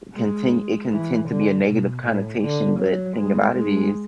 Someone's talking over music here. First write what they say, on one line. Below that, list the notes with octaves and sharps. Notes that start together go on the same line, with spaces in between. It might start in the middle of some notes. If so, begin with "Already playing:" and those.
contin it can tend to be a negative connotation, but the thing about it is
G#3
E3
D3
B2
A2
D3
F#3
G#3
G#3